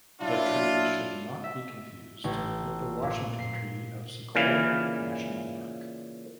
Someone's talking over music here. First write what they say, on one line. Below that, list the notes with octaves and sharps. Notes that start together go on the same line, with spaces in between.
The tree should not be confused with the Washington Tree of Sequoia National Park.
F#3 D4 E4 F4
E5
A1
A#2
C7
A#2 C#3 E3 F5